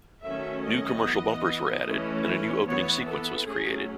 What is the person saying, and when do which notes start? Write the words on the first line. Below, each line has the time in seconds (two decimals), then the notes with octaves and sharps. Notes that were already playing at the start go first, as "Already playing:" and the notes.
New commercial bumpers were added and a new opening sequence was created.
0.23 D#3 F#3 A3 C#4 E5
0.63 D#5
1.04 E3 B3
1.85 E3 A3 C#4
2.66 E3 B3 C#5
3.06 A4
3.47 F#3 A3 C#4 G#4